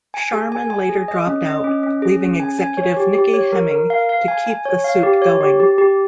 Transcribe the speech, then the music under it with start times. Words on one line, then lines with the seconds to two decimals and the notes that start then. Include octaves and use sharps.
Sharman later dropped out, leaving executive Nikki Hemming to keep the suit going.
0.14 G#5
0.33 G#4
0.52 G#5
0.70 G#5
0.89 G#4
1.08 D#5
1.27 C#4
1.46 D#5
1.64 C#4
1.83 C#4
2.02 G#4
2.21 C#4
2.40 G#5
2.59 G#5
2.77 C#5
2.97 G4
3.15 G4
3.34 C#5
3.52 A#4
3.71 A#4
3.90 F5
4.09 F5
4.28 G#5
4.47 G#5
4.65 C#5
4.84 F5
5.03 G4
5.22 C#5
5.41 G4
5.60 G4
5.78 G4